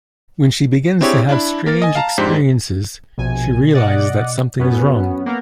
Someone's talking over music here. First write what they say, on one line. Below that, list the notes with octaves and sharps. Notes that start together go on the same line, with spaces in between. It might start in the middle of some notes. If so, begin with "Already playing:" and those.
When she begins to have strange experiences, she realizes that something is wrong.
C4 D4 E4 G4 G#4 C#5
D4 E4 B5
A#3 A#4 A6
D#5 G#5
F5 A5 A#5
F2 G#2 D4 G4 C5 B6
A#1 B2 G#5
D5 D#5 F#5
F#2 B3 C#4 F#4
A#3 B3 A#4